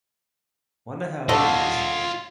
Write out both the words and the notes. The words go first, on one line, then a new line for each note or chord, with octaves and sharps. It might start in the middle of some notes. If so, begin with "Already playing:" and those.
Wonder how old he is?
D3 A3 F4 D#5